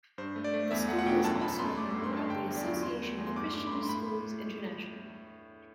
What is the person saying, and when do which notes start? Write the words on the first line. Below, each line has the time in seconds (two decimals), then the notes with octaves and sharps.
The school is also a member of the Association of Christian Schools International.
0.18 G2 C5
0.36 A3
0.44 D5
0.54 A3
0.71 E2 E5
0.88 A3 F#5
0.99 F#5
1.06 B2 G5
1.24 F#2 A5
1.41 F#2 B5
1.59 F#2 C6
1.77 A3 D6
1.90 C6
1.94 G2
2.04 C6
2.13 G2 A5
2.30 D3 G5
2.48 E2
2.57 D5
2.66 F#3
2.83 E2 C6
3.01 A3
3.18 E2
3.27 C6
3.36 G2 D6
3.54 A3 D6
3.67 B5
3.72 G2 C6
3.83 C6
3.89 A2 B5